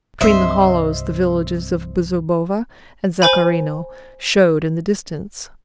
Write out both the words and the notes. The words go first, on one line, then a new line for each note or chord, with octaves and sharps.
Between the hollows the villages of Bezubova and Zakharino showed in the distance.
C2 G2 C3 C5 D#5 E5
C5 G#5 B5